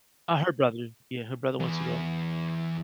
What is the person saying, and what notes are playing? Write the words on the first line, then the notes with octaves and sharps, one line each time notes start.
Ah, her brother. Yeah, her brother wants to go.
E2